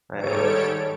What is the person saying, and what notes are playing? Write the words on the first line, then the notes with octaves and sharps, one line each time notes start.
I it
G#2 D#3 G3 A4 C#5 D7